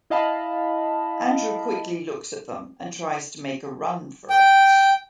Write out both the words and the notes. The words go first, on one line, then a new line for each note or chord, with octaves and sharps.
Andrew quickly looks at them and tries to make a run for it.
E4 D#5 F5 A5 B5
G5